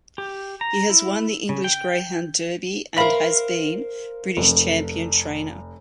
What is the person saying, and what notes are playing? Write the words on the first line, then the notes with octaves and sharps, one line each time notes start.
He has won the English Greyhound Derby and has been British champion trainer.
G4
A#5
E4
C#3
G5
A#4 C5 E5 F5 B5
F1